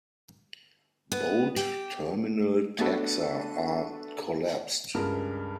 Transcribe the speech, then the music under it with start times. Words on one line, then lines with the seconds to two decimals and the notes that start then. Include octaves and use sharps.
Bold terminal taxa are collapsed.
1.12 B3
1.56 G4
2.79 A3 B3 D4 F#4 A4 B4
4.94 C#2 G2 G#3 A#4